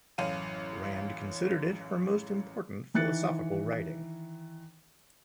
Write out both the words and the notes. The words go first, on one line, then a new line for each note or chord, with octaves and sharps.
Rand considered it her most important philosophical writing.
A1 F#2 F5 D#7
D#3 E3 F#6 A6 C#7